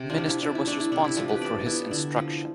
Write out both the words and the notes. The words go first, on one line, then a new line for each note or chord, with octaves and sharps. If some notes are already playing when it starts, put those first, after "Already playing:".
Minister was responsible for his instruction.
Already playing: C3
D4 F4
F3
E4
C3 D4
E4
A3 D4
E4
C3 D4
E4
F3 D4
G4 B4
C3 B4 D5
B3 E4
D3 E4
F3